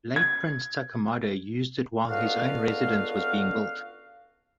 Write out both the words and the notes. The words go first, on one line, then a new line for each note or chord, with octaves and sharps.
Late prince Takamado used it while his own residence was being built.
G#6
C#2 D3 B3 F#4 F5